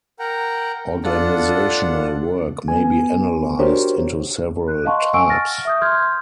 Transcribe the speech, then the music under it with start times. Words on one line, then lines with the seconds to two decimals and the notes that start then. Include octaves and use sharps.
Organizational work may be analyzed into several types.
0.19 A#4 F#5 G5 A#5
1.04 D4 F4 A4 F#5
2.68 B3 G#5
3.59 D4 F#4 G4 A#4 C5 C#5
4.68 F#6
4.85 D#5 F5 F#5 A5 C6 C#6
5.13 F#5 G#5 A5 C#6 E6 D7
5.30 F6 A6 A#6
5.65 E5 D#6 G6
5.82 C6 F6 G6 G#6